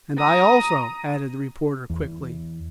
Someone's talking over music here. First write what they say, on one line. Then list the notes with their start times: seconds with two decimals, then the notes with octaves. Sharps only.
"And I also," added the reporter quickly.
0.18 A#5 D#6
1.90 E2